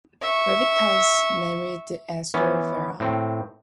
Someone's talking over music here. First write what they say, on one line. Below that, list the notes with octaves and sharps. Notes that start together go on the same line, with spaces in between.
Levitas married Esther Fera.
E5 C#6
E3 B3 C#4
A2 C4